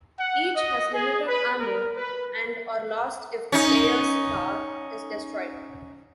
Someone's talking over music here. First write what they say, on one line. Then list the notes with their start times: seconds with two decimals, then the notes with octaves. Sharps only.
Each has limited ammo and are lost if the player's car is destroyed.
0.20 F#5
0.55 D#5
0.93 G#4
1.27 B4
1.60 A#4
1.97 B4
3.52 C#4 D#4